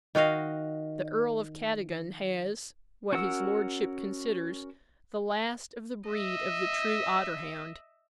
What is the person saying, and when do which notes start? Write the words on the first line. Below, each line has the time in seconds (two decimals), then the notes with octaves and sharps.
The Earl of Cadogan has, what his Lordship considers, the last of the breed of the true otter-hound.
0.15 D#3 F#4 D#5 F5
3.12 C#4 F#4 A#4 F#5 E6
6.09 D#5 E5